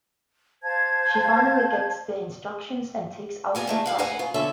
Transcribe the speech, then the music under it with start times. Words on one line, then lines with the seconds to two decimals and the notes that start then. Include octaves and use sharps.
She finally gets the instructions and takes out her target.
0.63 C5 F5 A5 G#6
3.55 A#2 B3 G#5 A#5
3.67 D#3 A3 A#3
3.86 E4 F5 F#5
3.99 B4 C5 F#5 G#5 A#5
4.19 C#3 F4
4.34 F2 D3 B3 A4 C#5 E5